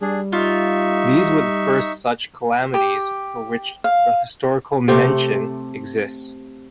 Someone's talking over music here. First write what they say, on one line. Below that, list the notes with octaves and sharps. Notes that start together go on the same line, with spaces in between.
These were the first such calamities for which the historical mention exists.
G3 D4 G#4
D#4 F4 E5 C#6
G4
F5
C3 A3 G4 C5